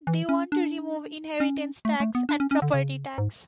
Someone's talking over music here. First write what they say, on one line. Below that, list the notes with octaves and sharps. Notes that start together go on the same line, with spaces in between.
They want to remove inheritance tax and property tax.
E3
C#4
D4
C#4
A3
A3
B3
D4
C#4
C#4
D3
C#3
G#2